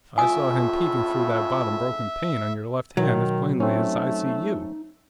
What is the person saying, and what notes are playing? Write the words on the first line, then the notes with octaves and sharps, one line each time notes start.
I saw him peeping through that bottom broken pane on your left hand as plainly as I see you.
F2 A2 C#3 F4 E5 G#5 D#6
B2 D#3 F#3
A3 C4 C#4 D#4